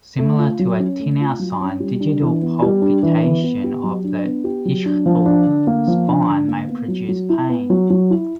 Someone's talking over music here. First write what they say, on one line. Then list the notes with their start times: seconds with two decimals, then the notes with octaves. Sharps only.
Similar to a tinel sign digital palpitation of the ischial spine may produce pain.
0.19 A3
0.38 F4
0.59 F#3
0.80 C#4
0.99 A3
1.20 F4
1.39 F#3
1.61 C#4
1.80 G3
2.00 D4
2.22 E3
2.42 B3
2.62 G3
2.82 D4
3.03 E3
3.24 B3
3.44 B3
3.64 G4
3.84 F#3
4.04 D4
4.24 B3
4.44 G4
4.65 F#3
4.86 D4
5.06 F3
5.26 D4
5.46 D3
5.67 A#3
5.87 F3
6.08 D4
6.28 D3
6.48 A#3
6.69 B3
6.88 F#3
7.08 F#3
7.29 E4
7.49 B3
7.70 F#3
7.90 F#3
8.10 E4